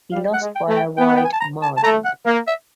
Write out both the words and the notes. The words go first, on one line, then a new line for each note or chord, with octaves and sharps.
He lost by a wide margin.
G3 F5
F#5
G#3
G5
A3
G5
B3 G5
F#5
G5
G#5
A5
A#5
A5
A5
A3 A#5
F#5
A#3 F5
E5